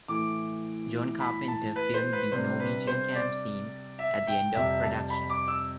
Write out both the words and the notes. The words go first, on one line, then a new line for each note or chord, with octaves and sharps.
John Carpenter filmed the Norwegian camp scenes at the end of production.
A2 E3 A3 D6
B5
A5
B4
C5
B4
C3 G3 D4 C5
B4
C5
D5
E5
G5
F2 C3 G3 C4 E5
A5
B5
D6
E6